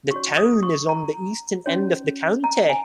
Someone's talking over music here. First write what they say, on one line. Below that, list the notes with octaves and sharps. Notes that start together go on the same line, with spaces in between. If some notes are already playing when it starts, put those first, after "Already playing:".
The town is on the eastern end of the county.
C#4 F#4 C#5 C#6
D#6
C#6
A#5
C#4 F#4 C#5
A#5
G#5